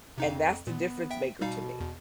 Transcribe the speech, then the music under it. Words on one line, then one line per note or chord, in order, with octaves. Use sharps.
And that's the difference maker to me.
F2 C3 D#4 F5
A#2 B3
E5 G5
B2 G3 D#4 F5
E2